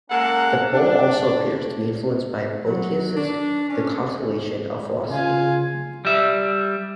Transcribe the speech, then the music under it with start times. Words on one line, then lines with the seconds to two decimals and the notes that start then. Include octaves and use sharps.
The poem also appears to be influenced by Boethius's "The Consolation of Philosophy".
0.11 G#3 A#3 C#4 A4 A#4 F#5
0.73 D4
2.66 F#3
3.17 D4
3.70 C#4
5.10 C#3 F4 G#5
6.05 G3 E5